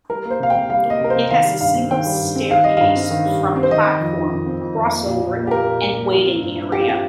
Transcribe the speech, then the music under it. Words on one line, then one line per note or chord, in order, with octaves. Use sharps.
It has a single staircase from platform, a crossover, and waiting area.
G3 A#4
A#3
C5
C3 F5
G5
C3
G3 F5
A#3 D#5
C3 A#4
C5
C3
D#3 F5
G3
G2 F5
C4
D#3 G5
G3
G2
C4
D#3 F5
G3 D#5
G2 F5
C4
D#3
G3
G2
C4
C5
D#3 D#5
C4
F2
F2
D#3
C4
F2
F2
A#3
A#2
A#2
A#3
G4
A#3 A#4
A#2
A#2
A#3
F3
C4
G2
G2
F3 G4
F4
C4 G4